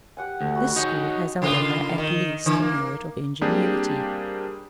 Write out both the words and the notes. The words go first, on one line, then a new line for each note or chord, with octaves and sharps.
This school has, however, at least the merit of ingenuity.
G4 F#5 G#5
D2
F#4 B5
D#4 G#4 C#5 D#5
C#3 A#3 F4
D#3
D3 E3
A#3
G3 A#3 C4 D4 G4 G#4